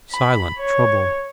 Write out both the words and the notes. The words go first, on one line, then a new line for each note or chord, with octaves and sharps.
Silent trouble.
B5
C#5